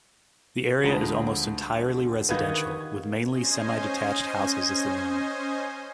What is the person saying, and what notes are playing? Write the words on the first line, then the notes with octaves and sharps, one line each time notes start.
The area is almost entirely residential, with mainly semi-detached houses as the norm.
D2 F3 G#3 D#5 A#5 B5
D#3 G3 F4 F#4 B4 D#5 G#6
C#4 C5 D#5 G#5